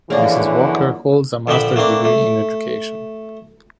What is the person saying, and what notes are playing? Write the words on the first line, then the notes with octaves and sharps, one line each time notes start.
Ms. Walker holds a master's degree in education.
F#2 D3 E3 F3 A#3 G#4 C#5 D5
A#1 D3 F3 G5 B5
A3 A#3 C4 D4
A3